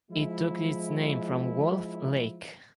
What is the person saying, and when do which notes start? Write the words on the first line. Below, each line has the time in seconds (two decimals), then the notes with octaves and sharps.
It took its name from Wolf Lake.
0.11 F3 G#3 E4